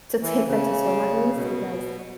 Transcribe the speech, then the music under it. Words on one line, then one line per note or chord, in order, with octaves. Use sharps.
to take them to swim at least because
E3
C#3
B2